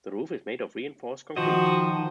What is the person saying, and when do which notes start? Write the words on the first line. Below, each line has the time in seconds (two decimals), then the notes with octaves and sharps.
The roof is made of reinforced concrete.
1.36 D#3 F3 F#4 C5 D#5